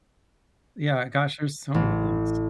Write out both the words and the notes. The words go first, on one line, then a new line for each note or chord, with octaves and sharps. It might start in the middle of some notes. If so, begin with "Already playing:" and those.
yeah gosh, there's so many things.
A1